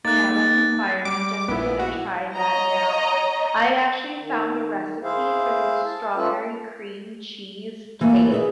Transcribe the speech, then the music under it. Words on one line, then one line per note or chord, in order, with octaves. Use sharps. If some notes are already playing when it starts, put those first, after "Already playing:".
Yeah, that's inspiring, I'm definitely gonna try that now and I actually found a recipe for the strawberry cream cheese cake.
A#3 D#4 D6 F#6 A6
G3 D6
A#1 B3 E4
F#4
C#5 D#5 A#5
D#3
E4 G#4 C5 E5 F5
A5
A3 C#4 F4 A4 B4
E3 A3 A#3
G#4 B4 D5 E5